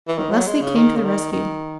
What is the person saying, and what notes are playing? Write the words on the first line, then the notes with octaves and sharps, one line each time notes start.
But Leslie came to the rescue.
E3
D#3
F#3
G#3
C#3
D#3
C#3
D#3
D#3